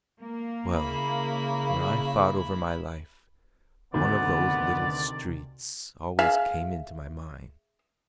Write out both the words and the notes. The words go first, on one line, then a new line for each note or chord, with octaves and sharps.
Well, when I thought over my life, one of those little streets always came into my mind.
A#3
C#3 E4 B5
D2 C3 D#3 B3 D5
G#4 E5 F5